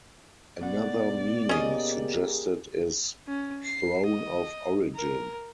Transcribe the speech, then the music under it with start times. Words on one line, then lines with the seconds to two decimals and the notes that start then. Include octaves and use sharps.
Another meaning suggested is "Throne of Origin".
0.61 B2 D5 F#5
1.49 A#3 C#4 G4 G#4 D#5
3.28 C#4
3.65 C7
4.06 D#5
4.95 A#4